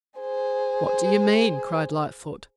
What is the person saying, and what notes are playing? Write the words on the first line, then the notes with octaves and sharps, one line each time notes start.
"What do you mean?" cried Lightfoot.
G#4 C5